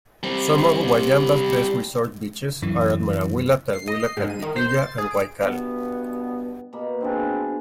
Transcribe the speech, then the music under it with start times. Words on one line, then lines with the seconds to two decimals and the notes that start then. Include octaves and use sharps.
Some of Wayamba's best resort beaches are at Marawila, Talwila, Kalpitiya and Waikkal.
0.23 G3 C4
2.62 F#2 E3
3.73 C7
3.88 D#5
4.00 C7
4.17 G#2
4.30 D#7
4.43 D#3
4.56 C5
4.69 C7
4.82 A6
4.98 G#4
5.11 D7
5.39 G2 B2 B3
6.73 B2 A#3 B5
7.01 C4 D4 G#4 B4 F5